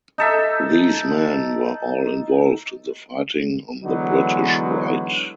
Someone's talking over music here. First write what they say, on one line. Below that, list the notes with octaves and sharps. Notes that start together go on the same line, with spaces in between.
These men were all involved in the fighting on the British right.
D#4 A4 E5
D3 E3 F#3 G#3 B3 D#4